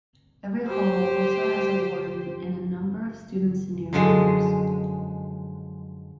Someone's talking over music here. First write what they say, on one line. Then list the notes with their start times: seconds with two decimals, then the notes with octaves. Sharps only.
Every hall also has a Warden and a number of student Senior Members.
0.68 G4 C5
3.93 F#2 D3 F3 F#3 G#3